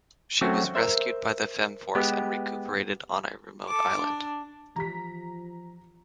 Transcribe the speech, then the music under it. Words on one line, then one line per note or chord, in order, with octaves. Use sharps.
She was rescued by the Femforce and recuperated on a remote island.
F#3 A3 C4 C#4 F#4
A#4 C5 E5
G#3 B3 G4
A4 D6
D4
E3 F3 G4 A#5 B6